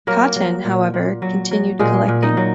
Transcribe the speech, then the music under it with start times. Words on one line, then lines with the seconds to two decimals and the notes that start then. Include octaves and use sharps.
Cotton, however, continued collecting.
0.07 F#3 A#3 A#4
0.36 F#3
0.65 A#2
0.94 A#2
1.22 F#3
1.51 F#3
1.79 A#2 G#3 G#4
2.08 A#2
2.22 D#4 D#5
2.37 F#3